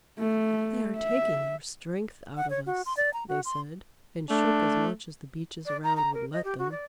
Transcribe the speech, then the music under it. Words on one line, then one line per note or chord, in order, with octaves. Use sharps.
"They are taking our strength out of us," they said, and shook as much as the Beeches around would let them.
A3
E5
F#5
C#5
F#4
C6
D5
A#5
F#4
C6
A3 D4
D5
A#5
A#5
A#4
D#5
G4
F#4
D5